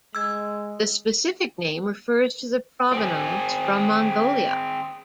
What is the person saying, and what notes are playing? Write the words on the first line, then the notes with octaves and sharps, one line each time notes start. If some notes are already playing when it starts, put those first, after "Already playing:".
The specific name refers to the provenance from Mongolia.
G#3 E6 G#6
C4 G#4